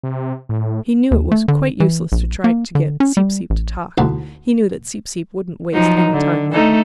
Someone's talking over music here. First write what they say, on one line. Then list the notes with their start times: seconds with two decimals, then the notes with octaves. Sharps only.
He knew it was quite useless to try to get Seep-Seep to talk, He knew that Seep-Seep wouldn't waste any time that way.
0.03 C3
0.49 A2
1.11 D#2
1.32 A3
1.48 D3
1.80 E3
2.12 A#1
2.44 A#3
2.75 D3
3.00 C#4
3.17 G3
3.50 A1
3.98 A1 D2 G#2 F#4
5.73 F3 F#3 D#4
6.12 D3
6.52 A3 D#4 A4